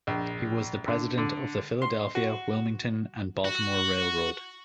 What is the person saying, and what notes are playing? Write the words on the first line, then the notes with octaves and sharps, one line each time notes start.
He was the President of the Philadelphia, Wilmington and Baltimore Railroad.
A#1
D3
D3
C6
F#4
F#4